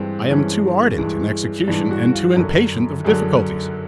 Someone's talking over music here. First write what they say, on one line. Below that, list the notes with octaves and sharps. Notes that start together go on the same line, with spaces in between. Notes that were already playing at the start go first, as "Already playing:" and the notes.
I am too ardent in execution and too impatient of difficulties.
Already playing: G2 E3 G#3 C4
G2 E3 G#3 C#4
G2 E3 G#3
G2 E3 G#3 D4
F#4
F4
F#2 D3 F#3
F#2 D3 F#3 G#4